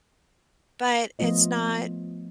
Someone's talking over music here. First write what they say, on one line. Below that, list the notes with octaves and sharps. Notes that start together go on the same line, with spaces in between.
but it's not
F3 A3 B3 F4 D#5